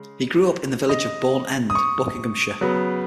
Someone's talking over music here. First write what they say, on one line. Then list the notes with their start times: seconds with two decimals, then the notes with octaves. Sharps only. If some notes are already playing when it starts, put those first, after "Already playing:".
He grew up in the village of Bourne End, Buckinghamshire.
Already playing: C#3 G#3
0.89 D#5
1.70 D#6
1.75 C#6
2.61 C#3 F#3 B3